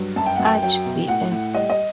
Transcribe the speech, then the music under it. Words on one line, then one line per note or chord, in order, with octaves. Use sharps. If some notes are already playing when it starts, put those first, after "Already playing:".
Archie vs.
Already playing: G2 F#3
F#2 A5
G5
F#2 F#5
G5
F#3 G5
B2
A2 F#5
A2
G3 D#5
D#5